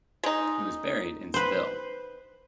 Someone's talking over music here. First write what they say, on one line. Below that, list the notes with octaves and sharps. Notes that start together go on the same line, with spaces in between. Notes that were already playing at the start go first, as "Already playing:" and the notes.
He was buried in Seville.
G#3 D#4
B4 C5